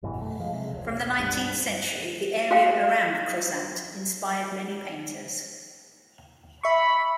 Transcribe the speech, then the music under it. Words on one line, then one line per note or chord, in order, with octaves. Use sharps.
From the nineteenth century, the area around Crozant inspired many painters.
G#1 F#2 B2 E3
A3
F3 G#3
C3 G#3
E1 C#2
G2
F#4 F5 G5
E5 B5 C#6